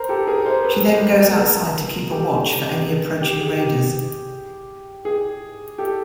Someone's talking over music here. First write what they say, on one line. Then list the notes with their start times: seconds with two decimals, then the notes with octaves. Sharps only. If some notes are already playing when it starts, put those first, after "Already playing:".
She then goes outside to keep a watch for any approaching raiders.
Already playing: A#4 C5
0.09 G4 A4
0.27 G#4 A#4
0.46 A#4 C5
0.64 A4 B4
1.37 G#4 A#4
2.11 G4 A4
2.71 G4
2.84 G#4
3.22 G4
3.39 G#4
3.58 G4
5.05 G#4
5.78 G4 A4